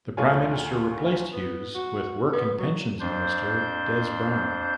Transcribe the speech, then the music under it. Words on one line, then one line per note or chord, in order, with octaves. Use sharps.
The prime minister replaced Hughes with Work and Pensions Minister Des Browne.
D2 A3 F4 C#5 G#5
B3
F#4
B3
F#3
F2 D4 C5 G6